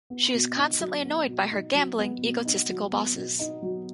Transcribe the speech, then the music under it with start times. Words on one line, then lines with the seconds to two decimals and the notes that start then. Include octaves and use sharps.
She is constantly annoyed by her gambling, egotistical bosses.
0.10 B3
0.34 B2
0.57 D#4
0.80 F#3
1.05 B3
1.28 B2
1.51 D#4
1.75 F#3
1.99 B3
2.22 B2
2.45 D#4
2.69 F#3
2.92 B3
3.15 B2
3.39 D#4
3.62 F#3